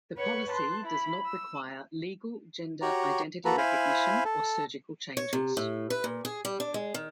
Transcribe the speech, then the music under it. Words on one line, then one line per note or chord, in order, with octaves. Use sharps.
The policy does not require legal gender identity recognition or surgical changes.
B4 C#5 F#5 C#6
A5 C6 F#6
E4 B5
E6
F#4 G4 C#5 A#5
A#3 F#4 A4 B4 A#5
E4 C5 F5 G#5 B5
A4
C#5
C3
A2
B4
A#2
G#4
G3
D4
G#3
D#3